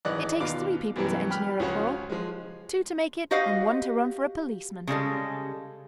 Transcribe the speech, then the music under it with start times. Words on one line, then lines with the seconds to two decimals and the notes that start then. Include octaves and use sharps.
It takes three people to engineer a quarrel--two to make it and one to run for a policeman.
0.05 G#1 E3 D5 D#5 F#6
0.40 D#2 B2 F4 D6
0.96 F#2 B2 E3 F#3 G3
1.30 G4 B5 F6
1.60 C#2 F3 F4 F#4 C#5 F#6
2.10 F3 G#3
3.31 F#4 G4 C5 D#5 F5 F#5
4.87 C#3 G3 G#3 A4